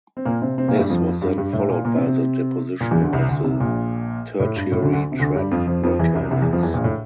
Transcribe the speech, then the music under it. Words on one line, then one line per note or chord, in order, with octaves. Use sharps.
This was then followed by the deposition of the Tertiary Trap Volcanics.
C4
A#2 A#3
C3 C4
C3 C4
A#2 A#3
A3
G2 G3
F2 F3
G2 G3
G2 G3
A2 A3
A#2 A#3
A#2 A#3
C3 C4
C3 C4
A#2 A#3
E2 E3
D2 D3
C2 C3
D2 D3
C2 C3
A#1 A#2
A2
G2
A2
D2 D3
D2 D3
C3
D2 D3
G2 G3
F2 F3
F2 F3
F2 F3
E2 E3
C2 C3
C2 C3
E2 E3
F2 F3
E2 E3
A#1 A#2
A2